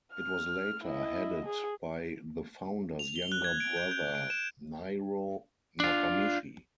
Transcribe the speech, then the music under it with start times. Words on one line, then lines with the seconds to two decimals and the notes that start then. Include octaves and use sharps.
It was later headed by the founder's younger brother Niro Nakamichi.
0.14 F6
0.84 E4 D#5
1.45 G#4
2.99 F7
3.16 G7
3.32 F#6
3.44 G#6
3.60 D7
3.77 G6
3.91 G6
4.15 D7
4.30 E7
5.80 D4 F4